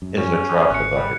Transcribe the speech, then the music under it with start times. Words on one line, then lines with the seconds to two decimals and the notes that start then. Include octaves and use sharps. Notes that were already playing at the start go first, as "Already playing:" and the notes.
It's a drop in the bucket.
0.02 F#2
0.17 C#4
0.70 G#1 F#6 C#7
0.95 G3